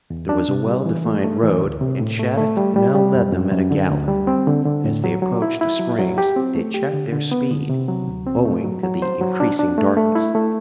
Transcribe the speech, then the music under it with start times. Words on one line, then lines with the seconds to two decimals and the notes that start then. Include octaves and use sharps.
There was a well defined road and Shattuck now led them at a gallop. As they approached the springs they checked their speed, owing to the increasing darkness.
0.10 E2
0.29 D4
0.48 C3
0.66 G3
0.86 E3
1.05 A3
1.24 A3
1.43 E3
1.62 D2
1.81 C3
2.00 A2
2.19 A3
2.38 A3
2.57 G3
2.76 G3
2.95 G3
3.14 F#2
3.33 F#2
3.52 F#2
3.71 D3
3.90 D2
4.08 G3
4.27 C4
4.47 D3
4.65 D3
4.84 A2
5.04 F#3
5.22 F#3
5.42 E4
5.61 E4
5.79 F#3
5.99 F#3
6.18 G4
6.36 C4
6.55 A3
6.74 G4
6.93 D3
7.13 D3
7.32 B3
7.51 D3
7.70 C3
7.88 F#3
8.07 D2
8.27 C4
8.45 A3
8.64 F#3
8.83 F#3
9.02 C5
9.21 F#3
9.40 D4
9.59 D4
9.78 A3
9.97 A3
10.15 E4
10.35 A3